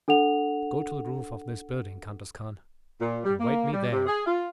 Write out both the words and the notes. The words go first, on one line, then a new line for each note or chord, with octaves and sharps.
"Go to the roof of this building, Kantos Kan, and wait me there."
D4 A4 F#5 F7
A#2
G3
A#3
G3
C3
G#4
F4